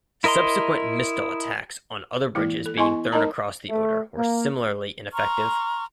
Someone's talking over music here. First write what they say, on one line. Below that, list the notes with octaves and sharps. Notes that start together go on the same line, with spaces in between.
Subsequent "Mistel" attacks on other bridges being thrown across the Oder were similarly ineffective.
E4 A#4 D#5 A#5 C6
E3 G#3 A#3 E4
A4
B3 E4 D#5 G#5 C6 C#6
G#3 D#4 A#4 D#5 A5 A#5
A3
A#3
A#5 C6 C#6 F6